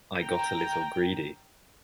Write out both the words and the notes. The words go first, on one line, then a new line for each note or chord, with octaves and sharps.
I got a little greedy.
G5 A#5